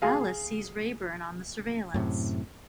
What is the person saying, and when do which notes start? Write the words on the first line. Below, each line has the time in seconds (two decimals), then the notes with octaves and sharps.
Alice sees Rayburn on the surveillance.
0.02 G#4 F5
1.94 F#2 A2 C3